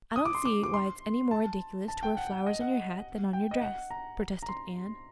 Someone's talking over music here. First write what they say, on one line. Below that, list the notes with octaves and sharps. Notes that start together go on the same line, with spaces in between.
"I don't see why it's any more ridiculous to wear flowers on your hat than on your dress," protested Anne.
D#6
D6
C6
D6
D6
C6
A5
A5
G5
F#5
F#5
D#5
F#5
G5
D#5
F#5
A#5
A#5
C6